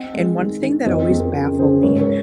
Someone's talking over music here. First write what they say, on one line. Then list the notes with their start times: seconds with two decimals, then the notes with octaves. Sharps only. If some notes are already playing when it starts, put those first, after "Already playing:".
And one thing that always baffled me
Already playing: C4 D#5 F#5
0.14 G#3
0.38 D#3
0.62 D#3
0.86 F2 C5 D#5
1.02 G#4
1.10 F2
1.19 A#4
1.35 C#3 A#4
1.59 C#3 G#4 C5
1.83 G#2 A#4 C#5
2.00 A#4 C#5